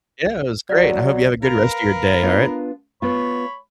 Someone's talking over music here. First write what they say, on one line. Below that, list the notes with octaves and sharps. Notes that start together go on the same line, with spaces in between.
Yeah, it was great, and I hope you have a good rest of your day, alright?
F#3 D5
A#4 B4 F5
B3 D4 F4
B3 F4 C#5 B5